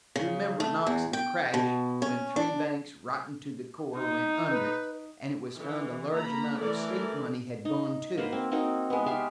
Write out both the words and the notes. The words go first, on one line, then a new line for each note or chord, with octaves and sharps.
You remember, Knox, the crash, when three banks, rotten to the core, went under, and it was found a large amount of state money had gone too.
C#3
A3
E2
G5
B2
C#4
D4
D#4
B4
E3
A#3 A#5 B5
E3 A3 A#4 D5
D#4
A#3 F#4 B4 C5
C4
A#3 C4 D#4 F#4
G#3 B3
G#3 G4 E5 F5